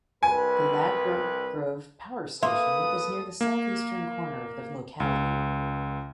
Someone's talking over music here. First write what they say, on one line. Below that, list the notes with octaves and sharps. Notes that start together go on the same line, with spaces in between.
The Ladbroke Grove Power Station is near the southeastern corner of the locality.
C2 B4 G#5
A#3 A4 B4 E5 C6 D#6
A#3
C#2